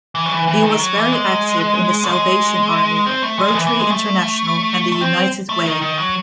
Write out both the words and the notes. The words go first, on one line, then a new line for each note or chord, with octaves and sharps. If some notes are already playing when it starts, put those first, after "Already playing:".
He was very active in the Salvation Army, Rotary International and the United Way.
E3
F#3
E3
E3
D#3
F#3
E3
G#3
F#3
G#3
C4
A3
G#3
D#3
E3
E3
G#3
A3
A3
C4
A3
D#3
D#3
F#3